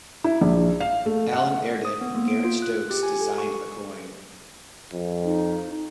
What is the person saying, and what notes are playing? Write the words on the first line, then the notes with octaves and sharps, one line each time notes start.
Alan Ardiff and Garrett Stokes designed the coin.
E4
A#1
F5
A3
F#5
D#6
B3
A#3
D7
F4
F#6
G4
G#5
A4
C#6
F2
D#4